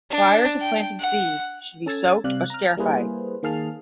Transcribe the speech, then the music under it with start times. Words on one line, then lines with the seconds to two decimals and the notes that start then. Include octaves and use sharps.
Prior to planting seeds should be soaked or scarified.
0.10 D4
0.61 G5
0.99 F#5
1.86 C#4 A4 A5 E6 G#6 A6
2.24 C3 G3 D5 F5 F#6
2.50 A#5 F6
2.77 G3 A#3 E4 G#4 B4 C5
3.43 D#3 A#3 G#4 F5 A5 F6